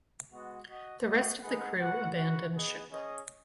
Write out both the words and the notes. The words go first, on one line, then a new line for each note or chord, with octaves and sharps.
The rest of the crew abandoned ship.
G#3 B3 F#4 D#5
F#4 D#5 F#5
F#4 D#5 F#5
G#3 D#4 G#4 B4 F#5
F#4 B4 F#5
F#4 B4 F#5
B3 G#4 D#5
C#4 G#4 D#5